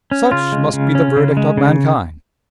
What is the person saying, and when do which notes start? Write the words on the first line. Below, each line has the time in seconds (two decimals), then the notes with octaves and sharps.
Such must be the verdict of mankind.
0.11 C#4
0.32 C#3 F4
0.52 G#3
0.73 C#3
0.95 C#4
1.16 C#3
1.37 G#3
1.57 C#3